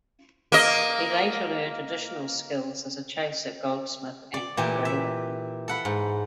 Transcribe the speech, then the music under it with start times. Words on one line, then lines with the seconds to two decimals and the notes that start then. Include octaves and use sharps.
He later learnt additional skills as a chaser, goldsmith and engraver.
0.52 A#3 D#5
4.34 D5
4.57 A#2 E3 G4
4.85 E5
5.68 A4 F#5 B5
5.85 G#2